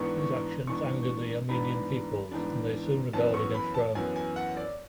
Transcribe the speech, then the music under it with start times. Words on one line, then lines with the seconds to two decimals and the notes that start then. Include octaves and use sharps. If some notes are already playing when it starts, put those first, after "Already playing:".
These actions angered the Armenian peoples and they soon rebelled against Rome.
Already playing: G#2 E3 B3 D4 C#6
0.67 G#2 E3 B3 D4 C#6
1.49 G#2 E3 B3 D4 B5
2.31 G#2 E3 B3 D4
3.13 F#2 E3 B3 A5
3.34 C#6
3.54 B5
3.74 A5
3.95 F#2 E3 B3 G#5
4.16 G#5
4.36 F#5
4.57 D5